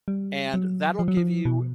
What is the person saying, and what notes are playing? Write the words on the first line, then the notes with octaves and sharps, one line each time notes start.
and that'll give you"
G3
F#3
F3
F#3
F3
B2